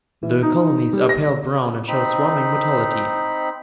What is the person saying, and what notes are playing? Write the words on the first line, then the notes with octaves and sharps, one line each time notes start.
The colonies are pale brown and show swarming motility.
E3
D#4
G3
A#6
C4 D#4 B5